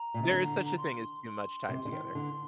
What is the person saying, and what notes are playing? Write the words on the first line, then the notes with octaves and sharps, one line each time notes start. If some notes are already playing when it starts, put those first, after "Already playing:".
There is such a thing as too much time together.
Already playing: A#5
A#2
C3
D3
A#5
C6
C6
C3
D3
D#3
D3